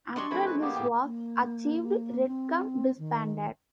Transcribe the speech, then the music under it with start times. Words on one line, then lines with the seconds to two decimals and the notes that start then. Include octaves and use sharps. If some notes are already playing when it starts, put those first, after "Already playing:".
After this was achieved Redgum disbanded.
0.16 F#3 D4 G4 D#5 C6 C#6
0.31 F3 A3 C4 E4 F#4 G#4 B5
0.46 B4
0.61 A#3 B3 G4
0.76 A2 G#4 G5
1.03 A#3
2.27 C4
2.98 D#3